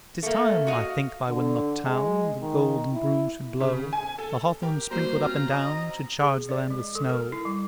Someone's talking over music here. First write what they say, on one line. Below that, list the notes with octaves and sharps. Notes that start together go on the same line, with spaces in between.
'Tis time, I think by Wenlock town The golden broom should blow; The hawthorn sprinkled up and down Should charge the land with snow.
A3 A#3
F#4 D#5 F5
D3
G#3
D#3
E4
C#3
G#5
A4
G4 A#4 G5
G3 A#3 F#4 G4 C5 A#5
C4 C#4 F4
D#5
G#4
D5
G#3
A4
A#4
E4
G3